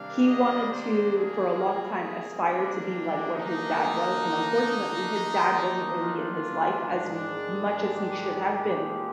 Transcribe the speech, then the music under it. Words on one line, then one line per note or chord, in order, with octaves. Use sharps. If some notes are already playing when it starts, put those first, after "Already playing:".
he wanted to, for a long time, aspire to be like what his dad was, and unfortunately his dad wasn't really in his life as m much as he should have been.
Already playing: C3 D#3 G3 A#3 D4 F5
D#5
C5
G#4
C3 G3 A#3
D4
D3 F3 A#3 D4 D#4
D#3 A#3 D4
F4
G#2 D#3 G#3 D4
G#4
G4
A#2 F3 G#3